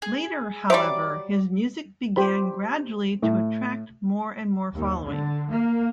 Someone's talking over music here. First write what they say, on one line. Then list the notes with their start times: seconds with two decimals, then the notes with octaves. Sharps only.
Later, however, his music began gradually to attract more and more following.
0.02 G#4
0.70 F#3 G3 C5 D5 E5 D6
2.16 G4 C5 B5
3.22 A2
4.73 D#2
5.06 D3
5.49 A#3